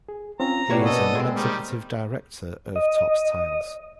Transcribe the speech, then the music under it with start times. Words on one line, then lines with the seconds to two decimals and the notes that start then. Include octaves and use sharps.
He is a non-executive Director of Topps Tiles.
0.09 G#4
0.40 C4 C#4 F4 A#5
0.70 B2 B3 C#4 D4 F4 G4
0.85 A#3 A4 D#5
1.15 G#3 C4
1.35 D#3 G3
2.76 D#5